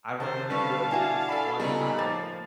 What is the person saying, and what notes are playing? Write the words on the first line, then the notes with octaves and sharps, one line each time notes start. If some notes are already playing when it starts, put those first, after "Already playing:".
I remember just one time,
D#3 C#4 G4 A#4 C5 A5
D3 G3 C#4 B4 F5 A5
D4 E4 F#4 G#5
A4 D5 B5
C#3 G3 B3 D#4 F4 G#4 A4 B5
F3 A#3 A6